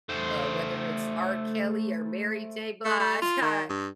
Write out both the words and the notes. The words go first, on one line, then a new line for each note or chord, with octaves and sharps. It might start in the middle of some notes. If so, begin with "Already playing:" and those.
uh, whether it's R. Kelly, or Mary J. Blige, I
A3 C5
A3
A3
F4
D#3
G2